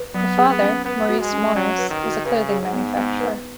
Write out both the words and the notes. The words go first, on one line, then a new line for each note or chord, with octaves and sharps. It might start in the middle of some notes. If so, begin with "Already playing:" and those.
Her father, Maurice Morris, was a clothing manufacturer.
Already playing: B4
F#3 B3
G#4
B3
C#4
B3 B4
F#4
G#3
C#4
F#3 C#4
B4
D#3
F#4
C#3 B4
G#4
G#2
B3
G#2 B3
B4